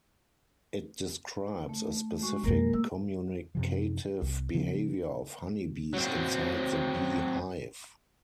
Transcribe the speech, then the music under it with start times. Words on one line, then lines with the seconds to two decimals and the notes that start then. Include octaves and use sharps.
It describes a specific communicative behavior of honey bees inside the bee hive.
1.69 A3
2.22 G#3 F#4 C#6
2.43 B1 F2 G#3 A#3 A#4
2.73 A3 A#3 E6
3.55 F#2 C3 F3
4.22 C2
4.54 C#3 F3 B3 C#4
5.93 F#3 C4